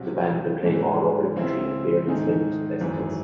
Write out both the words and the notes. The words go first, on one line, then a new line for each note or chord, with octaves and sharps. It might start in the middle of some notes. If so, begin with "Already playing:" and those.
The band have been playing all over the country at various venues and festivals.
Already playing: C2 C3 F#3
G#2 E3 A3
C#2 C#3 G#3 C4 E4
G#2 D#3 A3 D#4 G#4
G#1 F#2 E3 G#3